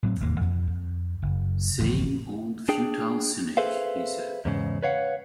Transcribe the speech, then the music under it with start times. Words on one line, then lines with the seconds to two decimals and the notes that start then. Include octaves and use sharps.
"Same old futile cynic," he said.
0.03 A2 F#3 C4
0.20 E1 D#2 G#2 A#3
0.41 F2
0.67 F2
1.22 F#1
1.79 D1 A1 F2 F3
2.69 D4 G#4 G5
3.57 G#4 A4 B4 C5 E5 F5
4.45 E2 G#2 C#3
4.83 B4 C#5 F5 F#5